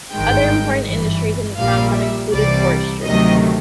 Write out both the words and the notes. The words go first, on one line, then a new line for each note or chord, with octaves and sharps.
Other important industries in the town have included forestry.
G#1 G2 D#3 G#3 G5
G1 G2 E3
A#1 A#2 G3 F5
E5
C2 C3 E3 G3 D5
D2 C3 D#3 F#3 A3 D#5